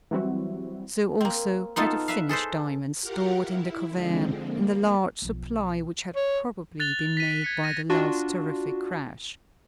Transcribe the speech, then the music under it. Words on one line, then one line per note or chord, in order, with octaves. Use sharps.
So, also, had the finished diamonds stored in the cavern and the large supply which had probably been made by the last terrific crash.
E3 F#3 G3 C4 E4 F#4
A#3 C4
B3 D#4 F4 A4
B4 E5 F5
G#4 A4 B4 C5
F4 G4 A#4 F5 F#5
E4
D3 F3 G#3 C4
A#3
B1 F3
C#5
F#6 A6 F7 G7
B6 D#7
G#6 C#7
A#6 D#7
D4 F4 F#4